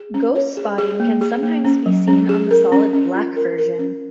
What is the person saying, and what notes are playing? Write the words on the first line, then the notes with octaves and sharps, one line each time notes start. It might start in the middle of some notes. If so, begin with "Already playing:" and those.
Ghost spotting can sometimes be seen on the solid black version.
Already playing: G#4
C#4
C#5
G#4
G#4
A#3
G#4
A#3
C#4
F#3
C#4
G#4
A#4
C#4
C#4
F4
A#4
A#4
C#4